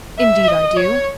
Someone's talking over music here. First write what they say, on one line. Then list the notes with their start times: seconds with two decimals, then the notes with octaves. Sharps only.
"Indeed I do."
0.19 E5
0.48 D#5
0.77 C#5